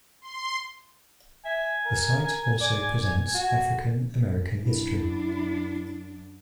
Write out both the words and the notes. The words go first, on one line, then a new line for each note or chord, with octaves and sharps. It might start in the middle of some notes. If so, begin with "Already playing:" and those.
The site also presents African-American history.
C6
E5 G#5
A#4
D5
F#4
F#2 D4 E4